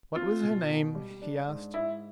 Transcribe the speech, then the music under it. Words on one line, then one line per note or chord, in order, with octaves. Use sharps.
"What was her name?" he asked.
C4 F4
B2
B2
G3
D4
G#2
G#2 E4